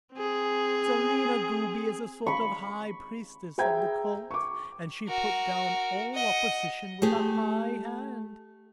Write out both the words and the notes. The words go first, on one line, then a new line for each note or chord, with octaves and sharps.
Selina Goobie is a sort of High Priestess of the Cult, and she put down all opposition with a high hand.
C4 G#4
B5 C#6
G#4 C5 E5 G5 A#5 G#6
C#6 D6
F#4 A#4
D#5 F#5
A3 G4 G#4